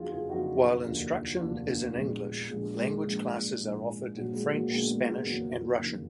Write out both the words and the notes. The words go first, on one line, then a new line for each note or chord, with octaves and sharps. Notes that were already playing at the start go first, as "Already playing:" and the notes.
While instruction is in English, language classes are offered in French, Spanish, and Russian.
Already playing: F#1 F2 D3 F3 D#4 F4 F#4 G#4
F4 G#4
F#1 F2 D3 F3 D#4 F#4
F1 D#2 D3 F3
F1 D#2 D3 F3 D4 F4
A#3 D4
A#1 A#2 F3 G#3 B3
A#1 A#2 F3 G#3
G#3
A#1 G#2 F3
A#1 G#2 F3
A#1 A#2 F3 F#3
G#3
F#3 A#3
A#1 A#2 F3 G#3 B3
G#3 B3
G#3 B3
F#1 F2 D#3 F#3 A#3
F#1 F2 D#3